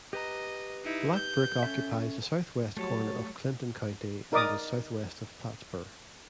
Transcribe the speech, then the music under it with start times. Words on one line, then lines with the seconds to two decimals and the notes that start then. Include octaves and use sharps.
Black Brook occupies the southwest corner of Clinton County and is southwest of Plattsburgh.
0.13 G4 B4 D#5 A#5
0.84 D#4 E4
1.15 G6
1.63 C#4 A4 E5
2.77 F#3 G3 A3 C#5 A5
4.32 D#4 A#4 D5 D#5 D6 D#6